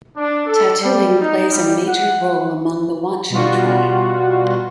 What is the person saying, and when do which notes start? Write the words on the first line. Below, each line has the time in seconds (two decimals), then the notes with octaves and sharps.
Tattooing plays a major role among the Wancho tribe.
0.17 D4
0.46 A4
0.79 G3
1.21 D#4
1.50 G3
1.87 F#5
3.30 B2 G3 F4 F#4